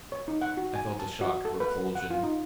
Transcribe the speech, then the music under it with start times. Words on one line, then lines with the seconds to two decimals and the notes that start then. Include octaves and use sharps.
I felt a shock of repulsion.
0.12 C#5
0.28 D#4
0.42 F#5
0.57 F#4
0.75 G#5
0.99 A5
1.21 F#4
1.45 A4
1.60 B4
1.95 F#5
2.10 F4
2.23 D#4